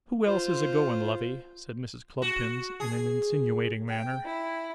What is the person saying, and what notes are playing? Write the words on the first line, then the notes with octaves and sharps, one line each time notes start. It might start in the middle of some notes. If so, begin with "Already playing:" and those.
'Who else is a-goin', lovey?' said Mrs. Cluppins, in an insinuating manner.
F4 C5
F#4
G#4
G5
E4